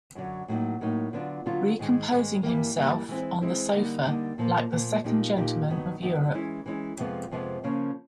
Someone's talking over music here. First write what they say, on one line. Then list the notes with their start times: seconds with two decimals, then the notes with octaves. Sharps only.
Recomposing himself on the sofa like the second gentleman of Europe.
0.15 F#2 D3 F#3
0.48 A2 F#3 A#3 D#4
0.81 A2 F#3 A#3 D#4
1.13 D3 F#3 B3 D4 F4
1.46 D3 F#3 B3 D4 F4
1.79 G#2 D#3 G#3
2.11 G#2 D#3 G#3
2.43 G2 E3 G3 A#3
2.76 G2 E3 G3 A#3
3.09 E3 G#3 C4 E4
3.41 E3 G#3 C4 E4
3.73 D3 G3 A#3 D#4
4.06 D3 G3 A#3 D#4
4.38 A#2 F3 A#3
4.71 A#2 F3 A#3
5.04 A#2 F3 A#3 D#4 G4
5.36 A#2 F3 A#3 D#4 G4
5.68 G2 D#3 F#3 B3
6.01 G2 D#3 F#3 B3
6.34 E3 G#3 C#4 E4
6.66 E3 G#3 C#4 E4
6.98 F2 C3 F3 G#3 B3
7.31 F2 C3 F3 G#3 B3
7.64 C#3 F3 A#3 C#4